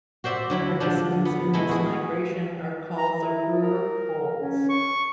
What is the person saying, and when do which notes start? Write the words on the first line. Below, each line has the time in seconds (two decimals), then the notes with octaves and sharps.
Participants in this migration are called the Ruhr Poles.
0.24 F#4 C5 D5 E5
0.50 D3 F#3 E4
0.80 D3 F3 D4
1.25 B3
1.53 G#3 A3 E4
1.69 F#4 G#4
2.97 A#5
3.17 E4
3.61 A#4
4.37 C#4
4.69 C#6